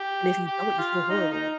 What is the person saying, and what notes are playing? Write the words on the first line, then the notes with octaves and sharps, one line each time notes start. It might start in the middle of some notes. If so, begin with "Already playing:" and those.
And if you don't, you feel horrible.
Already playing: G4
G4
F4
D#4
D#4